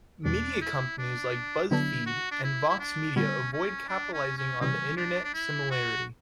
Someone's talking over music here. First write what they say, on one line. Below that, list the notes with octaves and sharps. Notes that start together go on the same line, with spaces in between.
Media companies like BuzzFeed and Vox Media avoid capitalizing the "internet" similarly.
E2 B2 G3 D4
E4
D4
D3 F#3 B3 D4 E4
F#4
D4
E4
E4
D4
D3 G3 B3 C#4
C#4
D4
C#4
C#4
C#3 E3 G3 C#4
D4
D4
E4
F#4